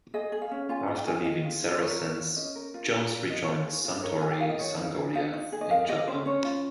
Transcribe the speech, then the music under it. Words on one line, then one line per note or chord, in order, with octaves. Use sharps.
After leaving Saracens, Jones rejoined Suntory Sungoliath in Japan.
G#4 D#5
G#4
F5
C#4
F4 G#5
F4
G5
G#4 G#5
G5
G#4 D#5
F4
G#4
C5
A#4 C#5
A#4
F4
C#4 D#5
A#4
F4
A#4 G#5
A#4 F5
F4 D#5
C#5
F4 C5
G#4
F4
A#4 C#5
A#4 G#5
G5
F4 F5
D#5
D#4 C#5
D#4 F5
G#4
D#4 F5
D#4
G#4
D#5
A#4 F5
G4 D#5
C#4 C5
C#4 C#5
F4